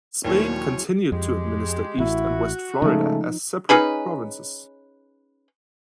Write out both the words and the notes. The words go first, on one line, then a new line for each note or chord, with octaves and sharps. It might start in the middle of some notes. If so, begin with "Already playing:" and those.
Spain continued to administer East and West Florida as separate provinces.
D#2 A#2 F3 F#3 C#4 E4 C5 C#5
F2 G#3 G4
A1 E4 F#4
C#3 F3 G#3 A3 D#4
C#4 D#4 G#4 B4